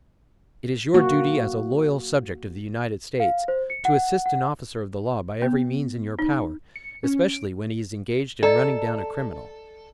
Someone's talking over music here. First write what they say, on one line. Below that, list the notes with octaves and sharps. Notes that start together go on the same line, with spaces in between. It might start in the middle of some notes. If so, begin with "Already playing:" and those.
It is your duty, as a loyal subject of the United States, to assist an officer of the law by every means in your power, especially when he is engaged in running down a criminal.
A#3 F#4
F5
C5
C#7
F#5
F#5
B3
D#4
C#7
C#4
D7
A4 D5 D#5 A#5